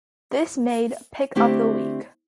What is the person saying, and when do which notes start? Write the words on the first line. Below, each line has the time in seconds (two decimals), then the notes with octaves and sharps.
This made pick of the week.
1.35 D3 A3 C4 D4 E4 G4